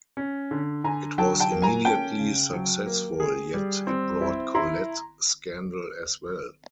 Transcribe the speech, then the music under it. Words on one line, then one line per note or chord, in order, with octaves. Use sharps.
It was immediately successful, yet it brought Colette scandal as well.
C#4
D3
D3 G#5 A#5
F#3 G5 A5
G5 A5
A#3
G#5 A#5
C#4 G5 A5
C#3
F#3
A#3
G#4
G3
C4
E4
E4 A#5 C6